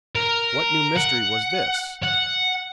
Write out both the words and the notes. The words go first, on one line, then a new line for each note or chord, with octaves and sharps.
What new mystery was this?
A#4
F#5
F#5